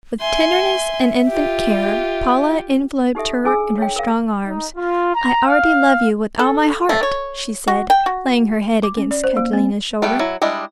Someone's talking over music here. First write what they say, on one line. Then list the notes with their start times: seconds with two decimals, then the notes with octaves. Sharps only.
With tenderness and infinite care Paula enveloped her in her strong arms. "I already love you with all my heart!" she said, laying her head against Catalina's shoulder.
0.21 E5 G#5 C6
1.29 F4 G4
3.15 D#4 G4 A4 E5
3.44 D4 G#4 G#5 E6
3.78 C#5 G5
3.96 A#4 F5
4.45 D#4
4.76 F4
5.15 A#5
5.47 F5
6.39 A4
6.89 A3
7.03 C#5
7.68 F#4
7.90 G5
8.06 F#4
8.83 D6
8.97 C#4
9.11 D5
9.24 C5
9.37 A#3
9.53 C4
10.02 G3 A3 B3 G5
10.19 F#3 E4
10.42 G3 G#3 D4 E4 D#5